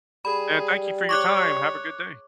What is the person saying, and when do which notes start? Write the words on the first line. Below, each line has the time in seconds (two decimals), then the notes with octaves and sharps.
And thank you for your time. Have a good day.
0.25 G3 G#4 B5
1.09 C#5 C#6 D6 F#6